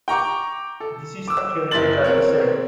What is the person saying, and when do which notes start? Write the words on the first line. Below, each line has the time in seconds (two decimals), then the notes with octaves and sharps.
"This is not theoretical", he said.
0.08 G5 A#5 C#6 D6
0.80 A4
1.28 D6 E6
1.71 F#1 E4 A#4 C6 A6 F#7
2.04 C4 A#4 C#5